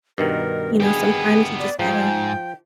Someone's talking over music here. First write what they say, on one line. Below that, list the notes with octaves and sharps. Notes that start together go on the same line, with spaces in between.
you know, sometimes you just gotta
G2 B2 D#3 A#4
B3 G4 G#4
D5
G#2 F3 G5